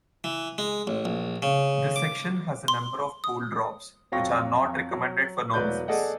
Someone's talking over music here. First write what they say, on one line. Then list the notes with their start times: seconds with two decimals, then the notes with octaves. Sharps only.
This section has a number of pool drops, which are not recommended for novices.
0.24 E3
0.58 G#3
0.87 A1
1.05 A#1
1.42 C#3
1.96 D6
2.68 C6
3.24 D#6
4.12 F2 F#3 F5 G5 C#6 A#6
4.91 F#3
5.54 E1 F#3 B4 D5 G6
5.88 G#4 A4 D5 D#5 F#5